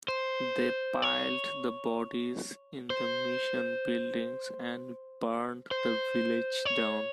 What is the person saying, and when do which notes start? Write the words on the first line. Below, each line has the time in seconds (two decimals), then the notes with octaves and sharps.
They piled the bodies in the mission buildings and burned the village down.
0.08 C5
1.02 C#5
2.90 C5
5.71 C5
6.65 C#5